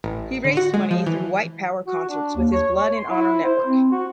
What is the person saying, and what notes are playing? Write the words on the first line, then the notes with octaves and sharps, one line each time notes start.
He raised money through white power concerts with his Blood and Honour network.
A1
D3
F#4
G#3
F3
E3
F#4
D4
D#2
C#5
C#5
C6
E4
C5
C4
F#4